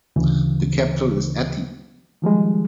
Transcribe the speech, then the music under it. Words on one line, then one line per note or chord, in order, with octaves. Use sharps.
The capital is Ati.
D2 C#3 E3
D#3 F3 G3 G#3